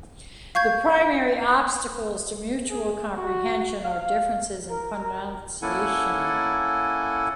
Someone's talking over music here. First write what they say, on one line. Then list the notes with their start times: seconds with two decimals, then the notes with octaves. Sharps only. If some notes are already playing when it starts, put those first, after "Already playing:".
The primary obstacles to mutual comprehension are differences in pronunciation.
0.55 F5 C#6 G6 G#6
2.69 G#4
3.16 F#4
3.82 F5
4.68 A#4
5.62 A#3 C#4 E4 A4 F#5 G#5